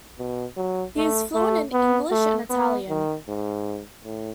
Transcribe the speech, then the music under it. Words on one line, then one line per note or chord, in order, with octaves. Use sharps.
He is fluent in English and Italian.
B2
F#3
A3
A3
B3
A3
B3
D#3
G#2
A2